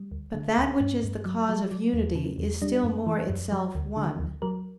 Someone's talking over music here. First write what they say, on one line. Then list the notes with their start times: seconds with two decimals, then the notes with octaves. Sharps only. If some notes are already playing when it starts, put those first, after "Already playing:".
But that which is the cause of unity is still more itself one.
Already playing: G3
0.12 D2
0.34 D3
0.58 D2
0.80 G2 C#4
1.03 G2
1.25 F#3
1.49 F#3
1.71 F#3
1.93 E2
2.15 C#3
2.38 E2
2.62 G3 D4
2.83 F#2
3.06 E3
3.30 F#2
3.52 F#3
3.75 D2
3.97 D3
4.19 D2
4.42 F#3 A#4